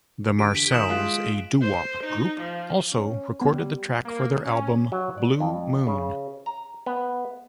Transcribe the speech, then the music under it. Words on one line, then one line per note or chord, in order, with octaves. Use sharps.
The Marcels, a doo-wop group, also recorded the track for their album "Blue Moon".
E2 D3 G4 D7
B6
D#3 C#4 E4 F#4 D#6 G6 E7
G#3 F4 F5 F#6
C5
D#4
F3
C#4
G3 B3
A#3
C#4
F#3
D5
F2
C#3
A#5
B3